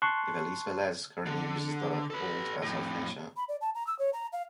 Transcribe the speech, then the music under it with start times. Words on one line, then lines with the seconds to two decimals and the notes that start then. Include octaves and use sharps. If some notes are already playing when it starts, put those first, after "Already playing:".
Ivelisse Velez currently uses the hold as her finisher.
0.02 A5 C6 C#6 F#6
1.26 D3
2.10 A4 B4
2.63 F2 A2
3.37 B5
3.49 D5
3.61 A5
3.75 A#5
3.87 E6
3.99 C#5
4.13 A#5
4.33 F5